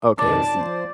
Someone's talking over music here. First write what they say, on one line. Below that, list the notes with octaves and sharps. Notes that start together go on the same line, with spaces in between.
Okay, I see.
F2 B2 D#3 D5 A5
F3 C5